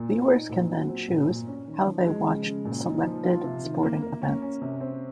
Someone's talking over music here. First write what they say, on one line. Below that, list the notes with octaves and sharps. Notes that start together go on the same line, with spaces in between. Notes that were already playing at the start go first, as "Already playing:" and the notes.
Viewers can then choose how they watch selected sporting events.
Already playing: A#2
C4
D#4
A#2
F#3
C4
A#2
A#2
C#4
D#3
F3
G#3
C#3
C#3
A#2
D#4
F3
F4
C3
D#3
A#3
A#3
C#4
C#4
C3
C4